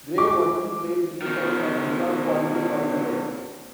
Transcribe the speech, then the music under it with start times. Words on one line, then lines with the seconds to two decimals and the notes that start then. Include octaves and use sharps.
Gray only played three times and did not qualify for a medal.
0.18 D6
1.22 B2 D#3